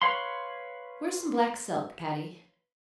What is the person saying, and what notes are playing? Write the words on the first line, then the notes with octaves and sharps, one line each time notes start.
"Where's some black silk, Patty?"
B4 C#5 F5 B5 C6